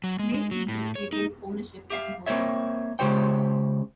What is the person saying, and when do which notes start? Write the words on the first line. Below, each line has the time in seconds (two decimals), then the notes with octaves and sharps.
Great Eagle retains ownership of the hotel.
0.04 F#3
0.19 G#3
0.34 G#3
0.51 F#3
0.68 A2
0.95 C#5
1.13 D#4
1.90 G4 E5 F5
2.26 A#3 C4 C5 C#5 E5
2.99 C#3 G#3 G4 C5 C#5 G5